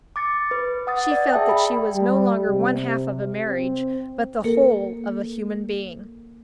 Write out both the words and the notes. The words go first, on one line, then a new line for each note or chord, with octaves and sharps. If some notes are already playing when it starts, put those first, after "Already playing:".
She felt that she was no longer one-half of a marriage but the whole of a human being.
D6 A6 C#7
B4
F#5 D#6 A6
D5
G#4 E5 G5 A5
B5
G3
C3
C4
A#3 A4 A#4